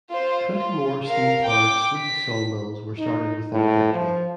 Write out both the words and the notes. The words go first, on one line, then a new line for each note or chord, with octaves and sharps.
Twenty more steam powered Swedish saw mills were started within a decade.
F4 C5
F4
A#4 F5
G5 D6
B6
D#4
A2
F3